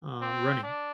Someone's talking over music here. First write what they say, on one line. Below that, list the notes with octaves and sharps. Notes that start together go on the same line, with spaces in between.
um, running
C4
D4